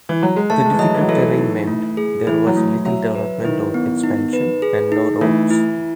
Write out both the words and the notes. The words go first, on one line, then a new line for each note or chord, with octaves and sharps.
The difficult terrain meant there was little development or expansion, and no roads.
E3
F#3
G#3
A3 A5
G#3
E3
F#3 D#5
E3
F#3
E3 A4
D#4
A3
G#4
E3 E4
F#3
A3
F#3 E5
B4
D#3 E4
B3
D#4
B4
G#4
D#4
E3 A3
E4